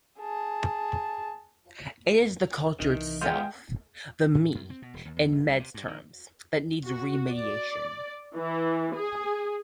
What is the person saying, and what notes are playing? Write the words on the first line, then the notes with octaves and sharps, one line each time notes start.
It is the cultured self, the "me", in Mead's terms, that needs re-mediation'.
G#4 A5
C2 D#3 E3
G#3 B3 F4 G5 G6
A2
F#2
C4
B2
E1
D#2
E2
G1
C2
C3
G2
D#3
F#4
D5
E3
G#4